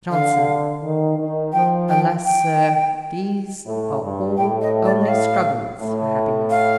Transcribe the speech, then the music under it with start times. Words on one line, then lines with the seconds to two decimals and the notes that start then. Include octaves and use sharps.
JOHNSON. 'Alas, Sir, these are all only struggles for happiness.
0.11 D3 F5
0.82 D#3
1.17 D#3
1.53 F3 G5
1.89 G5
2.25 G5
3.66 A2
4.02 G2
4.37 A2 G5
4.61 D#5
4.85 D5
5.01 D#5
5.08 F5
5.79 A2
6.50 F5